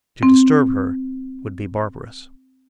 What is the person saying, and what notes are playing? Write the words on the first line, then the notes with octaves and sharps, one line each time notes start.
To disturb her would be barbarous.
C4